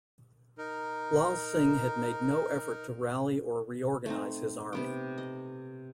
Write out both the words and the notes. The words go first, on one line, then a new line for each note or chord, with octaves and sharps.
Lal Singh had made no effort to rally or reorganise his army.
D#4 A#4
A3 C4 D#4
C3 B3 G5
D#5